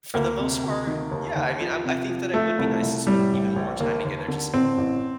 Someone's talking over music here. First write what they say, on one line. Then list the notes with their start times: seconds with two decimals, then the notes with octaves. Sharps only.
for the most part, yeah, I mean, I w I think that it would be nice to spend even more time together just
0.14 D2 A#3
0.39 C3
0.63 D2
0.87 D#3
1.11 D#2
1.36 D#2
1.61 F3
1.85 C3
2.09 F3
2.34 F3 A3
2.58 C2
2.82 C2
3.07 A2 G3
3.31 A#1
3.56 A#1
3.80 D#2 A#3
4.05 D#2
4.28 D3
4.54 A1 C4
4.78 A1